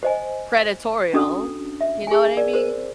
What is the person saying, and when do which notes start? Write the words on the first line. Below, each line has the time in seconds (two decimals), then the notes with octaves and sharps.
predatorial, you know what I mean.
0.03 C5 D#5 G#5
1.13 C#4 D4 F#4 A4 D#6
1.81 E5
2.07 G#4 G#5
2.37 A#4 D5
2.53 A#4 C5